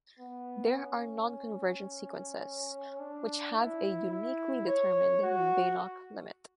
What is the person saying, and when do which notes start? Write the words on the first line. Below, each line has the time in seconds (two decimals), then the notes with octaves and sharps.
There are non-convergent sequences which have a uniquely determined Banach limit.
0.19 B3
0.75 C#4
3.00 D4
3.56 E4
4.12 E4
4.67 C#5
5.23 F#4